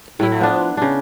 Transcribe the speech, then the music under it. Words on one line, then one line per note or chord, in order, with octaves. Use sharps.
you know,
A2 E4
B3 D4
C#3 D4